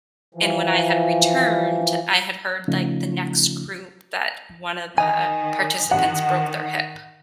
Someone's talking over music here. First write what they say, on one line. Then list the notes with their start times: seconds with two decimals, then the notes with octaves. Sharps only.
and when I had returned, I had heard, like, the next group, that one of the participants broke their hip.
0.35 E3 F3
2.68 C#3 F3 A3 C#4 D#4 F4
4.98 D#3 D#5 G#5
5.91 D#3 F#5